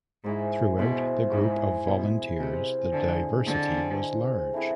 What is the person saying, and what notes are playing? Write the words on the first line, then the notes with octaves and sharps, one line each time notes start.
Throughout the group of volunteers the diversity was large.
G#2 E4 G#4 C5
B2 E4 G#4 C5
G#2 E4 G#4 C5
B2 E4 G#4 C5
C3 G#3 C4 G#4
D3 G#3 C4 G#4
D3 G#3 C4 G#4
G#3 C4 G#4
A3 C4 E4 G#4